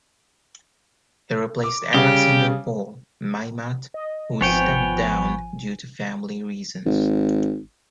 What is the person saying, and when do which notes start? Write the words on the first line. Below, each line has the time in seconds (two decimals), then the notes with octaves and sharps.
He replaced Alexandre Paul Maymat who stepped down due to family reasons.
1.64 D6
1.94 C#3 G3 G4
3.94 D#5
4.41 G#1 F3 B3 C#5 G5 G#5
6.86 G#1